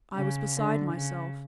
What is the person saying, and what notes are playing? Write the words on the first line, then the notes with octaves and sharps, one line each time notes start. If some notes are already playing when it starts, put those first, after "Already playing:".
I was beside myself.
C#3
D3
C#3